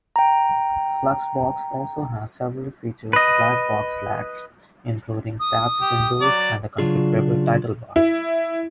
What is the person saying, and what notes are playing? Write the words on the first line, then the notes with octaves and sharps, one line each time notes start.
Fluxbox also has several features Blackbox lacks, including tabbed windows and a configurable titlebar.
G5 A#5
B4 D#5
D#6
G4
F#3 D5 D6
C#3 F#3 D4 F4 G#4
E4